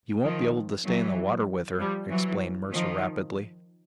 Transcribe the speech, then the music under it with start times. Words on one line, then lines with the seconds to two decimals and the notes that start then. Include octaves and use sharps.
"You won't be able to stay in the water with her," explained Mercer rapidly.
0.24 D#3 F3
0.86 E3 F#3
1.79 F3 G3
2.11 E3 F#3
2.73 D#3 F3